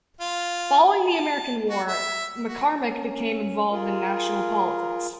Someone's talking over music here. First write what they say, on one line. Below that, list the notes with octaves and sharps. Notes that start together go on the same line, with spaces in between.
Following the American war Macarmick became involved in national politics.
F4
A5
F#4
E5
F#4
C#4
F4 G#4 A#4